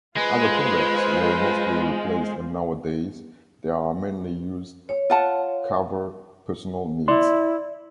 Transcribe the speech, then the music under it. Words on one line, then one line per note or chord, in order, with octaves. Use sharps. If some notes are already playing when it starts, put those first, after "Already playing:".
Other products were mostly replaced and nowadays, they are mainly used cover personal needs.
G#3 F4 B4 C5
C#5
F4 F#5 A5
E4 D5 C6